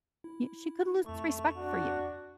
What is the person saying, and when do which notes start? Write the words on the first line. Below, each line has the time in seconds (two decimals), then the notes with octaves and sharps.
she could lose respect for you.
0.24 E4
1.06 F2 A3 C#6
1.57 D4 F#4